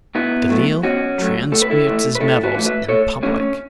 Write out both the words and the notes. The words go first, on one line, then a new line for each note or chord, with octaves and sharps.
Delisle transmutes his metals in public.
B2 B3 E4
F#3 A3
B2 C#4 F#4
F#3 A3
A2 A4
B4
E4 A4
E3 A3
B4
A2 E4 A4
F#4 B4
E3 A3
B4 E5
A2 A4 C#5
E3 A3 C#4
C#4